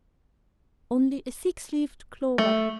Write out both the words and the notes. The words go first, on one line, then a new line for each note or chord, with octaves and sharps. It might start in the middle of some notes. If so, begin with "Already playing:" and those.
Only a six-leaved clover!
A3